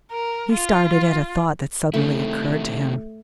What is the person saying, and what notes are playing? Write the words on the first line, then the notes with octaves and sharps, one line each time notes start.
He started at a thought that suddenly occurred to him.
A#4
F4
C3 D#3 A3 E4